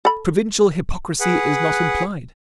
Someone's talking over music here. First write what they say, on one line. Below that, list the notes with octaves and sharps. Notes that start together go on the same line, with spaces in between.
Provincial hypocrisy is not implied.
A4 B5
G#4 B4 F#5